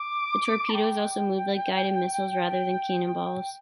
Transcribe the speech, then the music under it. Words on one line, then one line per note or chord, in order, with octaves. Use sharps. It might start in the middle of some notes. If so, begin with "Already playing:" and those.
The torpedoes also moved like guided missiles rather than cannonballs.
Already playing: D6
A5
G5